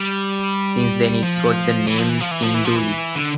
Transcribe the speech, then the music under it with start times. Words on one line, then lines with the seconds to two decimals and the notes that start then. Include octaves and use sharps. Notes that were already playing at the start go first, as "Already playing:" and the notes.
Since then it got the name Sindhuli.
Already playing: G3
1.23 F3
1.87 E3
1.98 F3
2.09 E3
2.20 F3
2.31 E3
2.42 F3
2.54 E3
2.64 F3
2.76 E3
3.16 D3